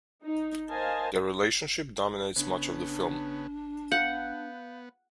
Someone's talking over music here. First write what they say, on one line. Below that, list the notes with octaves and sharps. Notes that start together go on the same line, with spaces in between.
Their relationship dominates much of the film.
D#4
A#4 C5 D#5 F5 G#5 A5
C#3 B3 D4
B3 F5 F#5 G6